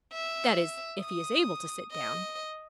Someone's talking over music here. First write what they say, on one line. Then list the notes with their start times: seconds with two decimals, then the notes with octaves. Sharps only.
That is, if he is able to sit down.
0.13 E5
1.01 D#6
1.91 D#5